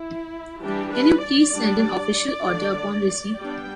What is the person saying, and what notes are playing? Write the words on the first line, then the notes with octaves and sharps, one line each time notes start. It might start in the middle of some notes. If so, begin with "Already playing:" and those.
Can you please send an official order upon receipt?
Already playing: E4
E3 G3 D4 G4
B4
D5
G3 D4
D3 A3 D4
G3 B3 D4 G5